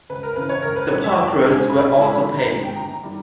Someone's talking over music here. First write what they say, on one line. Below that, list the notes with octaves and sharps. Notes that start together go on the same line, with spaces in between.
The park roads were also paved.
C#2 B4
A#4
C#3 E3 B4
C#5
C#2 A#4
B4
B2 G3 C#4 C#5
E5
G#5
E2 G5
B2 G#3 G#5
B1 B5
A#2 G#3 C#4 E4
B5
G1 B5
A#5
G2 D#3 G#3
G5
G1 A#5
D#3 G3